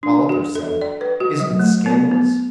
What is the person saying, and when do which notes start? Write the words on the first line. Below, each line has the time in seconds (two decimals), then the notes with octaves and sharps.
While others said--"Isn't it scandalous!"
0.03 D4
0.29 F#4
0.55 A4
0.81 D5
1.01 B4
1.20 F#4
1.40 F#3
1.60 A3
1.86 B3
2.11 B3